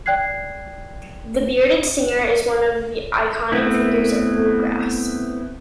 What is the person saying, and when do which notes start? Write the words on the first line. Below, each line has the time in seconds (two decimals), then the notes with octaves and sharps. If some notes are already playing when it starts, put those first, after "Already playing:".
The bearded singer is one of the iconic figures of bluegrass.
0.06 D5 G5 F#6 G#6 C7
3.52 A3 B3 C4 E4